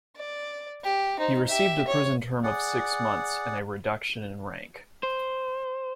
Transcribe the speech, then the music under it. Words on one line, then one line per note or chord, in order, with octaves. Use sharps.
He received a prison term of six months and a reduction in rank.
D5
G4
D#4 C5
G4 E5
C#5
G#4 D5 F#5
C5